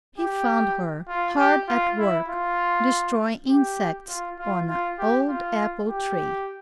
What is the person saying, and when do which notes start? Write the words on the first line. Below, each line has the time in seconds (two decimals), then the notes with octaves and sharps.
He found her hard at work destroying insects on an old apple tree.
0.18 G4
1.08 F4
1.38 G4
1.68 F4
1.98 E4
2.28 F4
3.48 G4
4.09 F4
4.39 F4
4.69 F4
4.99 G4
5.29 F4
5.89 G4